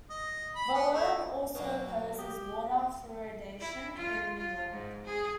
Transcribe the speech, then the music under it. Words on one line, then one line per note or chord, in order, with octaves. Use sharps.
Vallone also opposes water fluoridation in New York.
D#5
B5
B3
A3
B2 F#3 A#3 B4
G4 D#6
E4
F4
F4
G#2
G#4